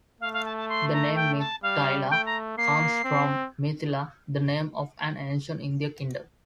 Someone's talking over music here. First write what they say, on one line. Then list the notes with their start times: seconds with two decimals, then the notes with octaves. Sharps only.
The name Meiktila comes from Mithila, the name of an ancient Indian kingdom.
0.21 A3 F5
0.33 F5
0.45 A5
0.57 A5
0.69 C6
0.93 A#5
1.15 G5
1.39 A5
1.62 G3 F5
2.10 A3 G5
2.26 A#5
2.57 A#3 C7
3.04 C4